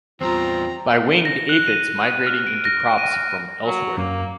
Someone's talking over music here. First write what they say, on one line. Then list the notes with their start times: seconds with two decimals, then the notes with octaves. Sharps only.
By winged aphids migrating into crops from elsewhere.
0.21 E2 G3 C4 F4 A#5
1.25 A#6
1.49 F#6
1.68 D#7
2.27 F6
2.47 D7
2.65 A#6
2.98 D#7
3.65 F#3
3.97 F#2 A#3